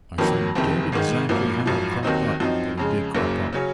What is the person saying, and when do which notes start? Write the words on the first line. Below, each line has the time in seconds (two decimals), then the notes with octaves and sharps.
I forget exactly how it cropped up, but it did crop up.
0.18 F2 D#3 F#3 A#3
0.55 F#1 F2 C3 D#3
0.92 G#1 G#2 D#3 G#3
1.29 G#1 F#2 F3 A#3
1.66 G#1 F#2 F3
2.03 D#2 D#3 F#3 C4 D#4
2.40 F#2 F3 C4 D#4
2.78 F2 C#3 G#3
3.14 F#1 F#2 C#3 F#3 A#3
3.53 C#3 F#3 C#4